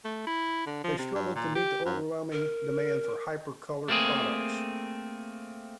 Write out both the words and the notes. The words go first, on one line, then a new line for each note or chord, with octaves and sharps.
They struggled to meet the overwhelming demand for Hypercolor products.
A3
E4
D3
F3
C3
G2
A#2
G4
F#2
A#4
A3 A#3 C4 G#4